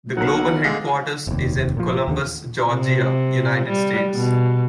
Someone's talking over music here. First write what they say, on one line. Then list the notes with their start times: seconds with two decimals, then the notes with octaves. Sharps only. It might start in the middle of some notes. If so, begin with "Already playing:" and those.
The global headquarters is in Columbus, Georgia, United States.
0.17 B1 F#3 A#3 A#4 F#5
0.64 D3 G#3 F4
1.27 F1 D#2
1.77 A#2 F3
2.08 D#2 D3
2.70 C3
3.68 G3
4.14 B2